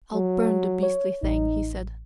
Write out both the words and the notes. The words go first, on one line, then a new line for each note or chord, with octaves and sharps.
"I'll burn the beastly thing," he said.
F#3
C#5
A1 D#4